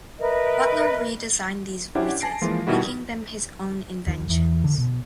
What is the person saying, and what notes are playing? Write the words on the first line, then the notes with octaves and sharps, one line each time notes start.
Butler redesigned these voices, making them his own inventions.
A#4 B4 D#5 E5
C#4 D4 E4 G4 C5 F#5
G#5 A5 A#6 C7 D7
E3 F3 G#3 A#3 F4
B2 D#3 G3 E4 F#4
D#2
E2
D3
B2